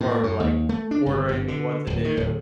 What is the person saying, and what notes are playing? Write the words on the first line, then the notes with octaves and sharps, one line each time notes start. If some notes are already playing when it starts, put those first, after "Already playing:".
or, like, ordering me what to do,
A2
F#2
D#2
A3
D4
G1
G1
D3
D1
D#3
D1